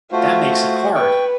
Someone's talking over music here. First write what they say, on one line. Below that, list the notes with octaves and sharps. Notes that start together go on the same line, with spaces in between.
That makes it hard!
A3 F4 F#4 C5
B4 G5 C#6